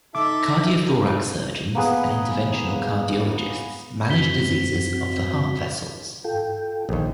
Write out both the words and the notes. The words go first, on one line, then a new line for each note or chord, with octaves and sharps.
Cardiothoracic surgeons and interventional cardiologists manage diseases of the heart vessels.
D#4 A4 E5 D6
A#3 B3 G#4 B4
F#2 C4 F#4 B6 G7
F4 A4 G5
A#1 D#2